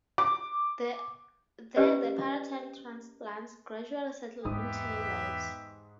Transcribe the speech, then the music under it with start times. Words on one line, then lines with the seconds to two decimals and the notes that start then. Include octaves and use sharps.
There the paratime transplants gradually settle into new lives.
0.18 D6
1.76 C#4 G4 B4 C5 D5 D#5
4.45 E2 G#2 B3 G4 E5 D#6